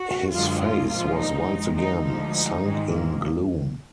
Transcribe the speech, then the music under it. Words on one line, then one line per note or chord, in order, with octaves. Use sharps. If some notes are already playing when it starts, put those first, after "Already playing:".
His face was once again sunk in gloom.
Already playing: F#4
F#2 D3 G#3 F4
F4
A#2 F3 G#3 F4
D#4
F2 D#3 G#3
D#4
D2 D3 F3 G#3 D#4
G#2 D#3 G#3
A#3